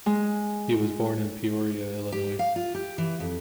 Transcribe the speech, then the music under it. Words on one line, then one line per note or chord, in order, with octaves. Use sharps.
He was born in Peoria, Illinois.
G#3
G4
F5
F4
G4
E3
F2